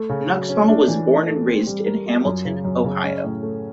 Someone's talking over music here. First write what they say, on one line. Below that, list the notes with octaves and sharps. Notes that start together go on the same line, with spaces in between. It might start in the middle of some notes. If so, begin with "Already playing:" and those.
Nuxhall was born and raised in Hamilton, Ohio.
Already playing: A3
C#3
F#3
C#4
D4
E3
A3
A3
C4
G3
A#4
F4
F#2
C#3
F#2
C#3
C#4
A2
A3